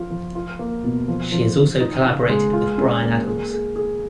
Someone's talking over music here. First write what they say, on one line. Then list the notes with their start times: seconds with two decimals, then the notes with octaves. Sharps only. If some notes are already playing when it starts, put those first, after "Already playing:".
She has also collaborated with Bryan Adams.
Already playing: F3 F4
0.10 F3
0.35 F4
0.59 A#3
0.84 B2
1.08 F3
1.32 F3
1.57 F3
1.81 D#4
2.05 C#3
2.29 G#3
2.53 F4
2.78 C#4
3.02 A#3
3.26 G#4
3.51 G#4
3.76 G#4